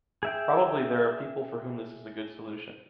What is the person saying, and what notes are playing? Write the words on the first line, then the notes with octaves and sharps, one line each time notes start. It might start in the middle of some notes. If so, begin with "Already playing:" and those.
Probably there are people for whom this is a good solution.
G#4 E5 G5